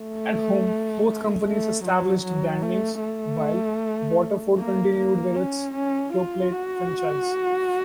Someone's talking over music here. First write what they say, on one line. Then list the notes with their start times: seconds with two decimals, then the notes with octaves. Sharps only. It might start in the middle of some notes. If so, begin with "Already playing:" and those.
At home, both companies established brand names, while Waterford continued with its Yoplait franchise.
Already playing: A3
1.45 A3
1.84 F#3
2.23 F#3
2.63 A3
3.02 A3
4.57 A#3
4.97 A#3
5.36 C#4
5.75 C#4
6.13 F4
6.52 F#4